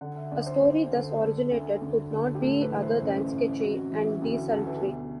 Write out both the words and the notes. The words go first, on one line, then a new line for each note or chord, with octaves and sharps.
A story thus originated could not be other than sketchy and desultory.
D3 F#5
E5
D2 D5
C5
D2
D3
D3 A4
D2
D2
D3
G4
A2 A4
B4
E3
C5
A1 A4
A1
C3 F#4
E3
D2 F#4
F#4
D2 A4
B4
A4
B2 G4